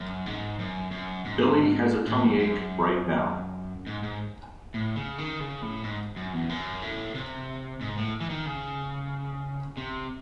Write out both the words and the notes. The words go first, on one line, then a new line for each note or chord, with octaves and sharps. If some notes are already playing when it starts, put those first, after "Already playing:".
Billy has a tummy ache right now.
Already playing: F#2
G#2
F#2
F#2
G#2
A2
F#2
F#2
G#2
G#2
A2
C#3
D#3
C#3
A2
G#2
F#2
E2
F#2
A2
C3
G#2
A2
E3
D#3
C#3
C3